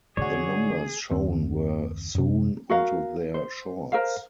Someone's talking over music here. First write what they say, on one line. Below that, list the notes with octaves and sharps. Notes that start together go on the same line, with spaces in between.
The numbers shown were sewn onto their shorts.
D3 F#4 G#4 C#5 D5
F#1 D#2 C4
F#2 C3
F#4 A#4 F5
C5
A#4 C5 F5